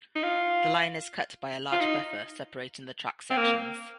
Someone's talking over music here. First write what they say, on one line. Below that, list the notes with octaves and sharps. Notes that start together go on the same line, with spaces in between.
The line is cut by a large buffer separating the track sections.
D#4
F4
F4
D#4
C4
A#3